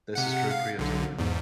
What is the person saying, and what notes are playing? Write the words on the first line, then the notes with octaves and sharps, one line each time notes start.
This is true creativity.
C3 F#5
F5
B1 D3
E2 G#2